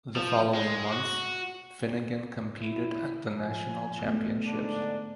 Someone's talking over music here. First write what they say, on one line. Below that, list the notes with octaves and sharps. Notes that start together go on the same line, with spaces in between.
The following month Finnegan competed at the National Championships.
F3
G#3
F#4
E4
F3 G#5
A3 B3
G#2 D3 D4